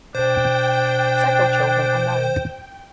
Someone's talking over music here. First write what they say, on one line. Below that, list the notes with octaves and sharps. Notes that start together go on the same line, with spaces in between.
Several children are known.
B2 D4 C5 G5